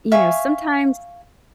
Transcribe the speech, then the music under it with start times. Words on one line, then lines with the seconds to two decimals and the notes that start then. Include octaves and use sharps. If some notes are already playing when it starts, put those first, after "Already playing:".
you know, sometimes
0.12 E5 F5 G#5 C#6